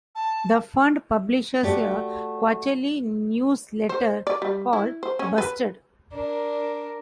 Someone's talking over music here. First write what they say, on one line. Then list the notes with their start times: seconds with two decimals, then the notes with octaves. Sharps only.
The Fund publishes a quarterly newsletter called Busted!
0.15 A5
1.63 A3 F#4 G4 D5
3.89 C5
4.27 D5
4.42 G3
4.73 E4
5.03 C5
5.19 C#4
5.38 B4
6.13 D4 A#4